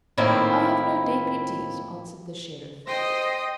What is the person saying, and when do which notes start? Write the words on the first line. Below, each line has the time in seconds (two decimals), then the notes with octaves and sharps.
"I have no deputies," answered the sheriff.
0.18 A2 D#3 A#3 C4 E4 F4
2.87 C5 D#5 G5 D#6 A#6 C7